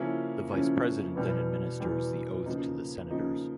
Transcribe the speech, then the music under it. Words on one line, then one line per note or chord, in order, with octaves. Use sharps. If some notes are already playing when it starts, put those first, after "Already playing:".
The Vice President then administers the oath to the Senators.
Already playing: C#3 F3 A#3 C#4 E4
C#3 F3 A#3 C#4 E4
E2 B2 G3
E2 B2 G3
C#3 F3 A#3 D#4
C#3 F3 A#3 D#4